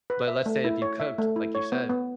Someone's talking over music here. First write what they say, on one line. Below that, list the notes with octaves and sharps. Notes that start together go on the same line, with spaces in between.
but let's say if you cooked like you said,
B4
E5
A3
E4
C#5
E5
A3
E4
C#5
B3
B3